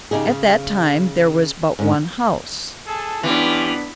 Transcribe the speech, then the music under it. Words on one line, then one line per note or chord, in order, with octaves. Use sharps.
At that time there was but one house.
C#3 D#4 G4 G#4
C#3
G#2 C#4
G#4 A4 A5
E3 B3 C#4 D4 F4 G4